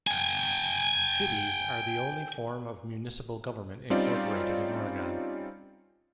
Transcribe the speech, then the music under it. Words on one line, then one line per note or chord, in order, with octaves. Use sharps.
Cities are the only form of municipal government incorporated in Oregon.
G5 G#5
G3 C4 C#4 D#4 F4 D5